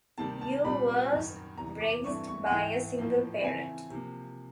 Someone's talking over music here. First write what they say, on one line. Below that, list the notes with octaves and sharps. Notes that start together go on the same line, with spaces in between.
Yoo was raised by a single parent.
C3 D#3 G3 A#3 A5
A5
A#2 G3 C4 B5
F#2 D#3 F#3
E2 C3 E3 A#5
D6
G2 E3 A3 C4 C#6
C#6
F#5
G#2 E3 A3 G5
A2 F3 A#3
C#3 E3 A3 C4 G#5
C3 F3 A#3